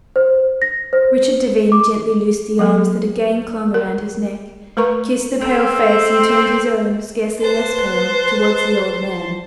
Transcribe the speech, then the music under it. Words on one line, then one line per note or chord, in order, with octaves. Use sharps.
Richard Devine gently loosed the arms that again clung around his neck, kissed the pale face, and turned his own--scarcely less pale--towards the old man.
C5
A#6
C5
D6
F#3 A#3 A4
A#4
A3 A#4 B4 A#5 C#6
C4 A4
B4 C5 A5